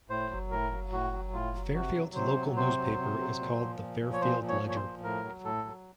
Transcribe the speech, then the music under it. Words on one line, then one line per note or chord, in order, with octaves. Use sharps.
Fairfield's local newspaper is called the Fairfield Ledger.
A2 C5
F#3
A2 A#4
F#3
A2 F#4
F#3
A2 F4
F#3
C3 F#4
F#3
C3 C5
F#3
C3 C5
F#3
C3
F#3
A#2
F3
A#2
F3
C#5
A#2 C5
F3
C#5
A#2
C#5
C5
F3
A2 A#4
F#3
A2 A4
F#3